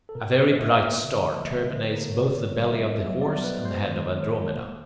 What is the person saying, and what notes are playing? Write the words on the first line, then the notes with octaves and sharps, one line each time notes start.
A very bright star terminates both the belly of the Horse and the head of Andromeda.
A4
B2 A#4
B4
B2
D#5
B2 E5
E5
A#3 D#5
D5
D3 E5
D#5
F3
D#5
G#3 D5
C5
D3 C5
B4
A#3 A#4
A4
B2 C#5
D5
B2
G3
E5
B2 D#5
F#3 E5
B2 D5
D5
B2 B4
C5
G#3 C5
D#3
D#3 C#5
G#3
A#3